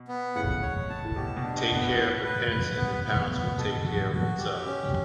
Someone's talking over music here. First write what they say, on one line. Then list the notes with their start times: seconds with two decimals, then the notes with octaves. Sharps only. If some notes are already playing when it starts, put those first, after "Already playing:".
Take care of the pence and the pounds will take care of themselves.
Already playing: B2
0.08 B3
0.35 A2 C#3 F#5
0.62 C#5
0.89 A5
1.05 A2
1.16 B2 G4
1.37 B2
1.43 D4
1.57 B2
1.70 B3
1.77 B2
1.97 A2 B4
2.24 B4
2.50 B4
2.77 B3
3.04 B3
3.32 B3
3.58 B2 A4
3.85 F#4
4.11 F#4
4.39 G4
4.66 C#4